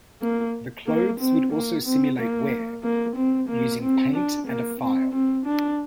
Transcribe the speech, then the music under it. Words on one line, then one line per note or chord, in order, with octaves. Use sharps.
The clothes would also simulate wear using paint and a file.
A#3
A#3
C4
A#3
C4
A#3
A#3
C4
A#3
C4
D4
A#3
C4
C4
D4